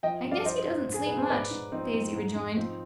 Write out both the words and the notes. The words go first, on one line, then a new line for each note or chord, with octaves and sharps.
"I guess he doesn't sleep much," Daisy rejoined.
F3 D#5 G5
G2
D5 F5
F3 C5 D#5
F2
G#2
G#4
G#2 B4
C5
G#2 B4 D5
G#2
F3 C4 D#4
F2
G#2
G#2
F3 C4 D#4